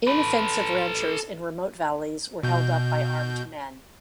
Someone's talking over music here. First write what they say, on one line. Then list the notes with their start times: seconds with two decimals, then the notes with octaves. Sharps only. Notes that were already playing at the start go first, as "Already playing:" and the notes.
Inoffensive ranchers in remote valleys were held up by armed men.
0.07 A4 B4
2.43 B2 G6